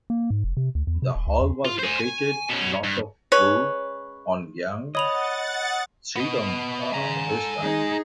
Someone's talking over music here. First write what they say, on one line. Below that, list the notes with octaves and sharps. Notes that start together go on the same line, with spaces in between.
The hall was located north of Bloor on Yonge Street on the west side.
A#3
G#2
F1
C3
D2
E2
C3
D#1
C#2
E2
F4
C5 G#5
G#5
B2 C#4
G2
G#3 C#4 B4 C#5
C#5 D#5 F#5 B5 A6 F7
B3 D#5
C#3 G#5 A#5
A4
D#4 G#4